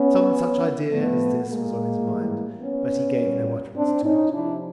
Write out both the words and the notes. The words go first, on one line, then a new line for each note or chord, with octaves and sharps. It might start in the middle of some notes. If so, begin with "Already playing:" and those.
Some such idea as this was on his mind, but he gave no utterance to it.
Already playing: B3 C#4
A2 F3 A3 B3
G#3 A#3
A2 E3 G3
B3 C#4
A#2 G3
C4 D4
C#4 D#4
C3 F3 D4 E4